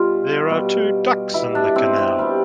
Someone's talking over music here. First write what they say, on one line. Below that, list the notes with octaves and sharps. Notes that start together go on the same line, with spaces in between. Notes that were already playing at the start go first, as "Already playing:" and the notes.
There are two ducks in the canal.
Already playing: B2 G3 F4
B2 G3
B2 G3 E4
D4
C4
C4
B2 G3